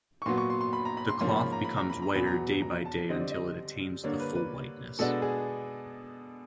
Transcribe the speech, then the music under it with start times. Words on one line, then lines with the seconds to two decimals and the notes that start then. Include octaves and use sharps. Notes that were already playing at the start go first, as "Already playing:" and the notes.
The cloth becomes whiter day by day until it attains the full whiteness.
0.22 C#6
0.26 A#2 F#3 B3 C6
0.38 C#6
0.50 C6
0.61 C6
0.73 B5
0.85 A#5
0.97 B5
1.09 C6
1.21 G#2 F3 A#3 C#4 C6
1.36 B5
1.52 A#5
1.64 B5
1.77 A#5
1.90 B5
2.02 A#5
2.15 E2 B2 F#3 B3 B5
2.27 A#5
2.62 A#5
2.85 A5
3.09 D3 G3 C4 D#5
3.20 D5
3.32 D#5
4.04 D3 G3 A#3 D4 C#5
4.20 B4
4.35 B4
4.99 B2 G#3 B3 D4 A4
5.22 G#4